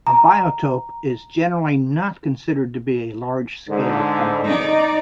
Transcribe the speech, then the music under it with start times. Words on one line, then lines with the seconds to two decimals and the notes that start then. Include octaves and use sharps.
A biotope is generally not considered to be a large-scale phenomenon.
0.07 A#5
3.69 G#2 D3
4.44 D#4 D5